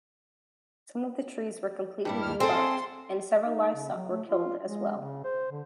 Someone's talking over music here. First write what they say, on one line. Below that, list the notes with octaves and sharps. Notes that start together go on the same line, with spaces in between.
Some of the trees were completely debarked, and several livestock were killed as well.
G2 G3 E4
D#2 F6
C4 G#4 A4 C6
D#4
C#3
F#3
A3
F4
G#3
C#3
C5
D3